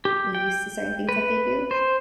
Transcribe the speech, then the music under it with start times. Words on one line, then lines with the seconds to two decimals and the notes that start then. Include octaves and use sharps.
used to certain things that they do,
0.05 G4
0.35 G5
1.09 B4
1.71 C5